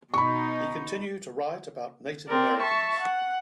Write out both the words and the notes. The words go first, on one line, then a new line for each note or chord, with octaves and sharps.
He continued to write about Native Americans.
B2 D#4 B5 C#6
C4 A#4 D5
E5 A5 C#6
F#5